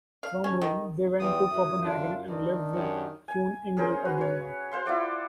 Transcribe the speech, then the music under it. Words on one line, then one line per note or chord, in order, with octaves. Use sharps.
From Rome they went to Copenhagen, and lived with Queen Ingrid of Denmark.
F5
C#4
D#3
E2 F4 G4 G5 D#6
F#2 F#3 E4
D3 D4 F4
D#3 E3 D4
F#2 F#4 G4
G#5
C#4 G#4 A#4 C5
F#4 B4
C#5
C5 F5 C6
E4 F4 D5 F#5